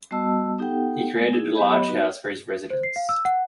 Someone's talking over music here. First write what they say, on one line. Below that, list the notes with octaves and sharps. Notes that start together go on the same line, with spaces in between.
He created a large house for his residence.
G3 B3 F#4 D#5 A5 E6
B3 D#4 G4 A4 F#5 G5
G#3 A3 B3
D#4 E4 G#4
F#3 B3 G4 D#5 B5
D#4 F#4 B4
C5
C7
F5
E6
F#5